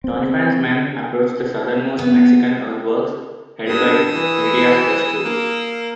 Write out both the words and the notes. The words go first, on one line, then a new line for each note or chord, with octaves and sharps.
Doniphan's men approached the southernmost Mexican earthworks, held by Heredia's best troops.
C4
B3
G2 D#6 E6
E3
A#3